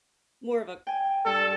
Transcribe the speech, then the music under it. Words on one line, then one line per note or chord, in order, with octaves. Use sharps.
more of a
G5 G#5
G2 A4 G#5